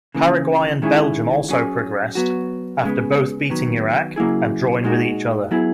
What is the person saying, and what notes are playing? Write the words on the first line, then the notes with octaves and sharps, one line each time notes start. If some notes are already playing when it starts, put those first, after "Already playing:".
Paraguay and Belgium also progressed after both beating Iraq and drawing with each other.
C#3 E3 A#3
D#3 G#3 C#4 E4 G#4
F#3 C#4 G#4
F#3 B3 F#4
C#3 G#3 B3
D#3 F#3 B3
C#3 F#3 A#3 E4 G#4
A#2 G#3 D#4 F#4
F#3 B3 E4 G#4